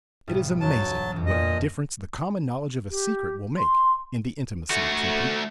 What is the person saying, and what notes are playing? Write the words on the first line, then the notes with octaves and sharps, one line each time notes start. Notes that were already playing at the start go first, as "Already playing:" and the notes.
It is amazing what a difference the common knowledge of a secret will make in the intimacy of two people.
B1 G#2 G3
E1 F#3 A5
E1 F2
A#2 D#5
G4
C6
A3 F#4